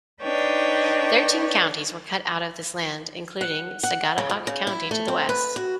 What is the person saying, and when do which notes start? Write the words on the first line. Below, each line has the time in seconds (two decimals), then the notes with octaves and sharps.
Thirteen counties were cut out of this land including Sagadahoc County to the west.
0.22 D4 D#4 B4 C#5 D#5 G5
3.41 F#5
3.83 F#5
4.18 C#3
4.30 F2
4.47 C#3
4.67 E4
4.91 A3
5.08 C4
5.29 B4
5.56 F#4